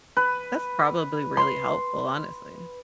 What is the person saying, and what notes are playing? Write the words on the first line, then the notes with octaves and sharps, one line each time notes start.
That's probably really helpful, honestly.
B4
C6